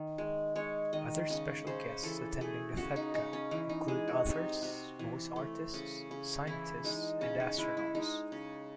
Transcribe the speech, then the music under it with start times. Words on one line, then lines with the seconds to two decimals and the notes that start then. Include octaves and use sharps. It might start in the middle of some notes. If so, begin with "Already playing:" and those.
Other special guests attending the FedCon include authors, voice artists, scientists and astronauts.
Already playing: D#3
0.18 G#3
0.55 G#3 C#5
0.93 D#3 D#5
1.30 C#3 D#5
1.67 C#3 C5
2.03 E3 A4
2.41 A3 G#4
2.77 C#3 F#4
2.96 D#4
3.14 C#3 D#4
3.33 C#4
3.51 E3 D#4
3.69 D#4
3.88 G#3 G#4
4.08 F#4
4.26 C3 D#4
4.62 C3 F#4
4.99 E3
5.36 A3
5.74 C#3
6.11 C#3
6.47 E3 E4
6.84 G#3 D#4
7.21 C#3 C#4
7.40 D#4
7.58 G#3 E4
7.77 E4
7.95 G#3 D#4
8.32 C#3